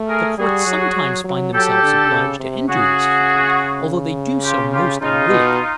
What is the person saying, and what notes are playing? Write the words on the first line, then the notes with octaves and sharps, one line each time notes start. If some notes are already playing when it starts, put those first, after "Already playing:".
The courts sometimes find themselves obliged to enter this field, although they do so most unwillingly.
Already playing: A3
G#4 A#4
G3 F#4 G#4
F#3
F#3
F#3
F#3 G4 A4
D3
C#3
C3
C#3 F#4 G#4
F4 G4
F4 G4
C#3 D#4 F4
B2